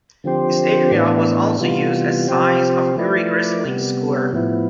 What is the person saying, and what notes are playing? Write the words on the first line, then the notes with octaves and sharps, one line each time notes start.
This area was also used as the size of a Greek wrestling square.
D3 F3 C4 G4 C5
A2 E3 B3 D4
C3 E3 G3 B3 F4
C3 F3 C4 G4 C5
F3 A3 E4 B4 D5
C3 G3 B3
A2 F3 B3 E4